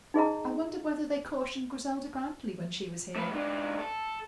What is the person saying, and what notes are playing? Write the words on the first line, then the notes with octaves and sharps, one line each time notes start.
I wonder whether they cautioned Griselda Grantly when she was here?
D#4 G#4 D#5 A#5
A3 B4
G#2 D4
A4